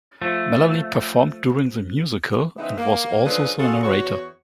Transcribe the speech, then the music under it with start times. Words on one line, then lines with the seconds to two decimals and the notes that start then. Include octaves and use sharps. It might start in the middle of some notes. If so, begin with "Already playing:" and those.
Melanie performed during the musical and was also the narrator.
0.22 F3 A3
2.57 C#3 E3 B3 C4 D#4 E4
2.78 A#3
3.25 C#3 F3 D4 G#4 A4 B4
3.58 C#4 F4 F#4 G#4 A4
3.83 E2 F#4 C#5